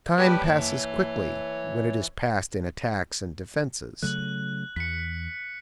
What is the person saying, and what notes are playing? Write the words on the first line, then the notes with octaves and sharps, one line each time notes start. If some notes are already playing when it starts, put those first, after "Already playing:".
Time passes quickly when it is passed in attacks and defenses.
G3 G4 B4 C#5 A5
E3
C#3 F#3 A3 F#6 F#7
E2 B6 C#7